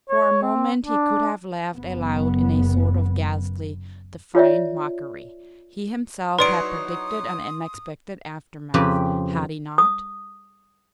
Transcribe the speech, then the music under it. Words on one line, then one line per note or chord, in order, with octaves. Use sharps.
For a moment he could have laughed aloud in a sort of ghastly, defiant mockery--he himself had predicted an unexpected aftermath, had he not!
C#5
C4
D4
F#1 B3
F4 C#5 D5 E5
F#3 D#4 E4 B4 D5 C6 D#6 D7
F2 C#3 C4 G4 B4
D#6